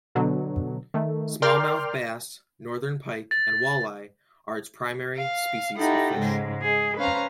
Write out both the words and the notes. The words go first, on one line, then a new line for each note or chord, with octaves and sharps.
Smallmouth bass, northern pike and walleye are its primary species of fish.
B2 D3 F#3
D#3 A3
A#4 D5 G5 C6 D6 F6
A6
F5
D#4 E4 G4 A4 F#5 G5
G#2 C#3 G#3
G#4 D#5
C#4 B4 C5 F5 A#5